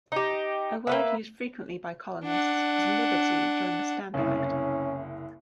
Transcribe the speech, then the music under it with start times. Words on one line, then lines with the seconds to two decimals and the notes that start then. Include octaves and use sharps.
A word used frequently by colonists was "liberty" during the Stamp Act.
0.12 D#4 G4
0.87 A#3 B4 E5
2.25 D4 F#5
4.14 F#1 C2 C#4